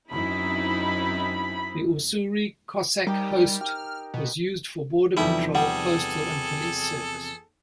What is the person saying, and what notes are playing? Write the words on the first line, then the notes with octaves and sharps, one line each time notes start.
The Ussuri Cossack Host was used for border patrol, postal and police service.
F#2 C4 D#4 E4 B5
G3 D#4 G4 A#4
G4 F6
B2
E2 C3 F3 G3 D#4 E4 A4
G3 G#4 A4 F#5